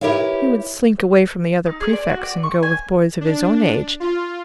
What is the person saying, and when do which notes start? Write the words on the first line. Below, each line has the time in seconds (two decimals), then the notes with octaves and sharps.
He would slink away from the other prefects and go with boys of his own age.
0.01 E4 G4 A#4 B4 C#5 F5
1.66 D#4
1.80 G#4
1.93 D5
2.09 F#4
2.23 D5
2.43 C#6
2.63 G#5
3.21 D4
4.00 F4